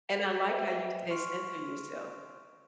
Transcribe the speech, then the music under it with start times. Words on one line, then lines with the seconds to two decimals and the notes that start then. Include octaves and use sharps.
and I like how you said, "Center yourself."
0.49 B4 C5 D#5 E5 G5 G#5
1.10 C6 C#6 F6 D7